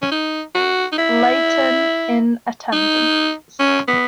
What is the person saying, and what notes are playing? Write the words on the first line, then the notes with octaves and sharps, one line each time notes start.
Leighton, in attendance.
C#4
D#4
F#4
D#4
E4
D#4
C#4
B3